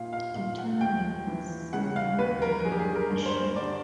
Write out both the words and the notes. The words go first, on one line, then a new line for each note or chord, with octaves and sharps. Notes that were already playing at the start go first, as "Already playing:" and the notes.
The tournament was single-elimination.
Already playing: A#2 F5
F5
A#2 F5
F#5
D#2 G5
E3
C#3 F#5
F5
D#2 B4
A#4
G2 G#4
G4
G#4
A#4
G2
C5
D3 D5